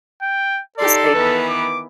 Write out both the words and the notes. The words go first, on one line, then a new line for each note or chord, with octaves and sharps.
we'll see.
G5
D#4 G4 A4 D5 C6
D#3 E3 B3 B4
D6